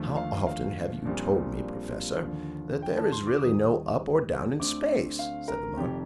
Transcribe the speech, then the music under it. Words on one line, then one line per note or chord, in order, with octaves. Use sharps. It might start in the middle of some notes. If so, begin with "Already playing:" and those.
"How often have you told me, Professor, that there is really no up or down in space?" said the monk.
Already playing: D#2 D3 F3 A3
F5
F5
A#1 A#2 G3 C4
D#2 D3 F3
G5
A5
C6
D6
D#2 D#3 G3 D#6
D2 D3 A3 C4 D6
F5
A#4
F1 F2 D#3 G4